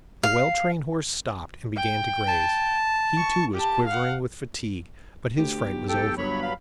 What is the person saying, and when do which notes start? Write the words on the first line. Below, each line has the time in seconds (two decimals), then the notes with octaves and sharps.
The well-trained horse stopped and began to graze; he too was quivering with fatigue, but his fright was over.
0.23 F5
1.76 G5
2.28 A5
3.17 C#6
3.54 G4 A5
3.86 F5 F#5
5.37 D2 G4
5.63 B1
5.89 G4 A4 G5
6.18 G1 G2 F#3 C#5 B5
6.42 F5